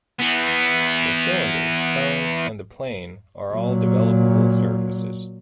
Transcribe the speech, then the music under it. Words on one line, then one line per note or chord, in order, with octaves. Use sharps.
The cylinder, cone and the plane are all developable surfaces.
E3 B3
A#2 F#3